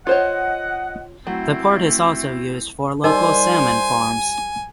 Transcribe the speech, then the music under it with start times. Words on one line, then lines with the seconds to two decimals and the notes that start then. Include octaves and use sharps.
The port is also used for local salmon farms.
0.07 F4 C5 C#5 D#5 F#5
1.27 F#3 A3 C4 E4
3.04 G3 D#4 A#4 C5 D#5 G#5